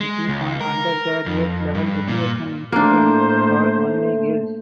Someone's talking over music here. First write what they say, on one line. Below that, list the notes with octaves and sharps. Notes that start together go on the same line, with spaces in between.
It is an undergraduate level educational institution for only girls.
G#3
C#2
A#4
F2
G2
A#2
A2 A3 A#3 D4 C5